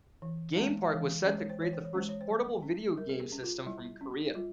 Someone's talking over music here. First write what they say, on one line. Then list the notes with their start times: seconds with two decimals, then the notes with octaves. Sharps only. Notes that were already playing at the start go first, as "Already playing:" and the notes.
Game Park was set to create the first portable video game system from Korea.
0.22 E3
0.56 G#3 C#4
0.91 E3 F5
1.25 G#3 C#4 C5
1.38 C#5
1.49 C5
1.60 E3 C#5
1.73 C5
1.85 C#5
1.94 G#3 C#4 C5
2.09 C#5
2.21 C5
2.29 G3
2.63 C#4
2.97 G3 A#4
3.09 G#4
3.20 G4
3.32 C#4
3.43 F4
3.66 G3 E4
4.01 C#4
4.35 G3 F4